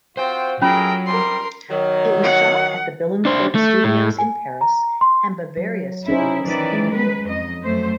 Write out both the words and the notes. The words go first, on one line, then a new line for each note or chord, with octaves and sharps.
It was shot at the Billancourt Studios in Paris and Bavaria Studios in Munich.
C4 F4 F#4 C5 G5
F#3 A3 C#4 F4 G#4 A#4 G5
C3 G3 A#4 C6
D#3 F#3
F#5
D4 C5
A3
A2
G#5
A#5
C6
F#3
C#4 D#4 E4 C5
D#3 E3 D5
G#3 B4
F2 D#5
F#2 A3 C5